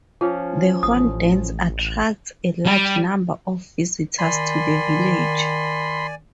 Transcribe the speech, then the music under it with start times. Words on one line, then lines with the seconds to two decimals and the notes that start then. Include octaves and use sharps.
The Horn Dance attracts a large number of visitors to the village.
0.21 F3 C#4 F4
0.83 A1 D#6
2.66 G3
4.19 D#3 D5 G#5 B5 C6